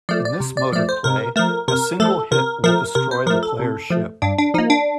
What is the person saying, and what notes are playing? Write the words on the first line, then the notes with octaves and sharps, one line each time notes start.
In this mode of play, a single hit will destroy the player's ship.
F3 A3 D5
D5
C3
D5
F3 A3 D5
C5
C3 A#4
F3 A3 A#4
C3 A#4
F3 A3 A4
C3 A#4
F3 A3 A#4
C3 A#4
C5
F3 A3 A#4
A4
C3
F3 A3
G2 D4
D4
F3 A#3 D#4
D4